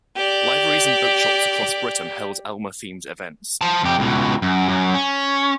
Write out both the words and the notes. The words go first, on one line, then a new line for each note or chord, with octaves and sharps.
Libraries and bookshops across Britain held Elmer themed events.
G4 D5
C5 A5
F2 G4
C#2 B2
F#2
F#2
C#4